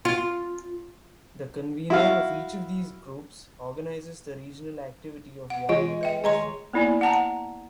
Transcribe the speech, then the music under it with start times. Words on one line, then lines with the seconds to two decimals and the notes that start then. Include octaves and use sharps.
The Convenor of each of these groups organises the regional activity of Young Liberals.
0.05 F4
1.90 E4 F#4 F5
5.50 F#5
5.69 E3 G#3 F4
6.01 B4 E5 G5
6.24 D#3 G#3 C#5 A#5 C6
6.73 A#3 B3 E4 D5 G#5
7.01 F#5 A5 A#5